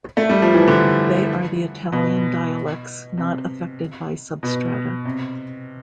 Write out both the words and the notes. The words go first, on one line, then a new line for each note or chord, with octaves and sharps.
They are the Italian dialects not affected by substrata.
A3
G3
F3
E3
D3
B2
C3
B2
C3